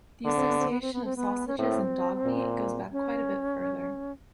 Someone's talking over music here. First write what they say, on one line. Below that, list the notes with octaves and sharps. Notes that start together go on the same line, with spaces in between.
The association of sausages and dog meat goes back quite a bit further.
D3 B3
C4
B3
C4
B3
C4
B3
C4
B3
C#4
A2 C4
A#2
C#4